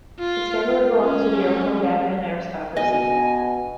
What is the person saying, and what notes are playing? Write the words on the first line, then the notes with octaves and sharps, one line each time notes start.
His family belonged to the old Moldavian aristocracy.
F4
C#4
B2 D#5 G#5